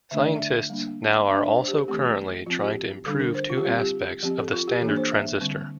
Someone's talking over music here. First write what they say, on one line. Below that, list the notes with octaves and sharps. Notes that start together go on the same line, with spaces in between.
Scientists now are also currently trying to improve two aspects of the standard transistor.
D3 A3 D4 E5
D5
E5
G3 A#3 D4
G3 D4 E5
D5
C5
G4
A4
E3 A3 C4 G4
F3 C4 F4
G4
D3 G3 D4 A4
A#4
C5
F4
G4
G3 C4 F4
G4
F3 C4 G4
A4
F4
G4
E3 A#3 D4 A4
C5
E5
D3 G3 C4